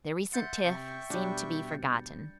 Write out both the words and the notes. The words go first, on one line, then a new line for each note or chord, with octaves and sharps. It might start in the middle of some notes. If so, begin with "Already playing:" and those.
Their recent tiff seemed to be forgotten.
E5 F#5 C6 G6 A6 C#7
C3 E5 G5 C#6
B2 G3 D4